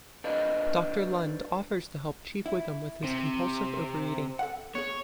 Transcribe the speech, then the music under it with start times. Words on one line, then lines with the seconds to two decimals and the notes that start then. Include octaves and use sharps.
Doctor Lund offers to help Chief Wiggum with his compulsive overeating.
0.24 D4 A4 B4 C5 D5 D#5
2.46 E4
3.04 C3
4.39 A4 F#5
4.75 B3 G#4 C#5